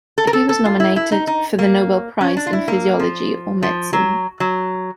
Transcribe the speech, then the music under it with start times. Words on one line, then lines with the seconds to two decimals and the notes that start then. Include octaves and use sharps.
He was nominated for the Nobel Prize in Physiology or Medicine.
0.18 A4
0.27 A#4
0.33 A4
0.49 A4
0.65 F4
0.80 E4
0.96 E4
1.12 D#4
1.27 D#4
1.59 A#3
2.21 C#4
2.37 D4
2.47 F4
2.53 E4
2.68 A#3
3.00 F3
3.63 F3
3.93 F#3
4.40 F#3